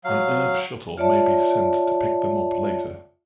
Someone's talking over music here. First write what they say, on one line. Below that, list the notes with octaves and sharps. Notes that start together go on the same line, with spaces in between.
An Earth shuttle may be sent to pick them up later.
F#3 F5
F4 C#5 D5 E5 A5